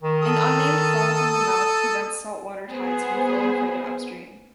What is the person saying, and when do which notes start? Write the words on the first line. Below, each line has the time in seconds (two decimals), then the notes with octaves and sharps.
An unnamed fall from the mouth prevents saltwater tides from flowing further upstream.
0.02 D#3
0.22 A4 D#6
2.70 B3 G#4 C5